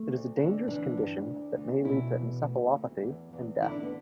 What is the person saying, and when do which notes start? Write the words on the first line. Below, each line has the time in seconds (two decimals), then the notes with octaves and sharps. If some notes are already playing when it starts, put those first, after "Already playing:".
It is a dangerous condition that may lead to encephalopathy and death.
Already playing: A3
0.09 D2
0.39 D3
0.68 E3 D4
0.97 G2
1.27 D2
1.56 D2
1.84 B2 E4
2.14 E2
2.44 D2
2.74 D2
3.03 E2
3.33 E2
3.62 D3 E4
3.71 D4
3.83 B3